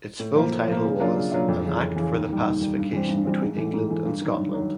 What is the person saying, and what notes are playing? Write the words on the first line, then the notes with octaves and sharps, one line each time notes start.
Its full title was "An Act for the Pacification between England and Scotland".
A2
F3 A#3
A2
F3 A#3
C#3
F#3 A#3 D4 F4
C#3
F#3 A#3 D4 F4
F2
C#3 E3
F2
C#3 E3
D#2
D#3 G3
D#2
D#3 G3
G2
E3 G3 C4
G2
E3 G3 C4
G#2
E3 A3
G#2
E3 A3
G2
D#3 F#3
G2
D#3 F#3